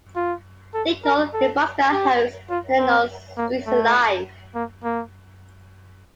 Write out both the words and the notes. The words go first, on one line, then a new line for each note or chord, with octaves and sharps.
Lincoln, Nebraska hosts an annual Streets Alive!
F4
A4
A#4
A4
G4
F4
C4
A#3
A3
A#3
A#3